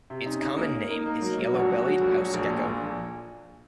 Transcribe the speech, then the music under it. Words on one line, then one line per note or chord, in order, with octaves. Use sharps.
Its common name is Yellow-bellied House Gecko.
C3
C#4 D#4
D#4
A#3
A#3
A#3 D#4
A#3
F#3
F#3
A#1 F#4
F#3
F#3
A#1
F#3
A#1
A#2
A#1
A#1